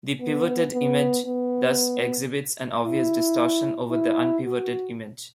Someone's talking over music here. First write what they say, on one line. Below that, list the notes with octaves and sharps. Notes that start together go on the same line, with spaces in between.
The pivoted image thus exhibits an obvious distortion over the unpivoted image.
B3
B3
B3
E4
E4
F#4